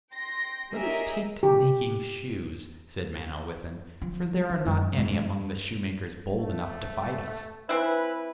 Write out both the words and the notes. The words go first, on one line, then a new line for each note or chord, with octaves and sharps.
'Let us take to making shoes,' said Manawyddan, 'for there are not any among the shoemakers bold enough to fight us.'
G5 C6 A#6
G4 G#4 A#4 C#5 D#5 E5
G4
F3
F3
F#2 G#3
G#2
A3
E3 C4 E4 B4